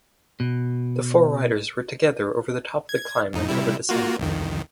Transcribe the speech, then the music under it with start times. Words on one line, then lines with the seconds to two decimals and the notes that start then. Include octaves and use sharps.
The four riders were together over the top of the climb until the descent.
0.40 B2
2.89 G#6
3.33 F2 D#4
3.48 C3 G3 E4
3.89 A#3 F4 F#4
4.19 C2 F2 D#3